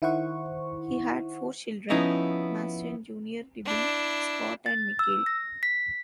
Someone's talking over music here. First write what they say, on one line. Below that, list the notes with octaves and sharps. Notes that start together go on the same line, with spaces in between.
He had four children, Masten Junior Debbie, Scott and Michael.
D#3 E4 C5 F#5 C#6
F3 B3 C#4 D#4 E4
D4 E4
A6
E6
A#6
B6